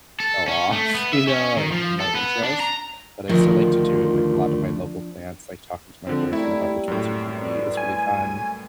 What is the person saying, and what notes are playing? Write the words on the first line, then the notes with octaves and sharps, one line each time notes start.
fell off, you know, of my interest, but I still like to do it with a lot of my local plants, like talking to my boyfriend about which ones you can eat is really fun,
A4
C#4
A3
B3
E5
C#4
D#3
F3
A4
B3
D4
A#5
D2 D#3 F3 D4 F4 A#4
D3 F3 C4
G3 A3 A#3 C4 E4
F#2 A2
B4 D5 E5
G#5